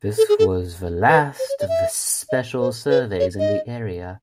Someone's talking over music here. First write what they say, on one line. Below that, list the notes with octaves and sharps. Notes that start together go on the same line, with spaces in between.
This was the last of the special surveys in the area.
A4
G#4
A4
B4
C5
C#5
D5
E5
D#5
C5
B4
C#5
D#5